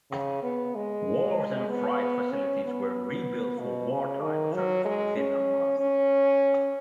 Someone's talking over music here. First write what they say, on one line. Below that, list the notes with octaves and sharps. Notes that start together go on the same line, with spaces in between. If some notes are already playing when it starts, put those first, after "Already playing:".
Wharves and freight facilities were rebuilt for wartime service within a month.
C#3
B3
G#3
B3
C#4
B3
B2
C#3
D#3
F#3
G#3
C#4
C#4